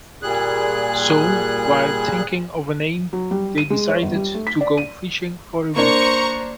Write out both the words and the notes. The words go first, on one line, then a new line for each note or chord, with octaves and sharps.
So while thinking of a name, they decided to go fishing for a week.
A#2 G3 G#4 F#6
F#3
G3
D#7
G#3
C#5
G1
G3
A3
B6
D5
D#7
A#3 D4 C5 A#5 C#6